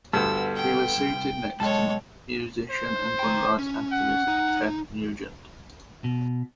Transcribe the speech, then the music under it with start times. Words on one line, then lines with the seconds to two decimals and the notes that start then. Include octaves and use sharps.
He was seated next to musician and gun-rights activist Ted Nugent.
0.13 D2 G2 B3 A4 A5 E6
0.56 G5
0.98 C2
1.60 B1 G#3 A4 C#5 G5 A5
2.70 C5
3.19 G5 A#5
3.59 C#4
3.92 F#5
4.28 D#4
6.04 B2